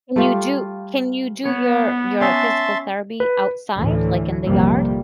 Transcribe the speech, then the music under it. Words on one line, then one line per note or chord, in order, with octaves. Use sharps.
Can you do can you do your your physical therapy outside, like, in the yard?
G3 A3 F4 G4 F5
B3 C#5
C#4 D#5 E5 A5 C6
B4
D2 A2 D3 E3
A#1 F2 C3 G3 A#3